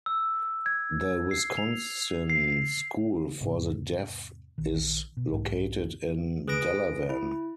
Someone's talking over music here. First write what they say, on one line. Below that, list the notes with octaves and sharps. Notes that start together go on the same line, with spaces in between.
The Wisconsin School for the Deaf is located in Delavan.
E6
G#6
C7
F7
C7
E2 G#2 C3
A#1 D#3
B2
B1 G#2
G#4 B4 D#6 A#6 D7
E4